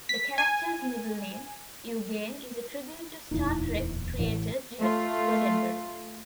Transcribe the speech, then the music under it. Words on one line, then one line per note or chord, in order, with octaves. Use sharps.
The character's middle name, "Eugene", is a tribute to "Star Trek" creator Gene Roddenberry.
B6
G#5
D1 E2 A#2 D#4 E4
A1
A3 F4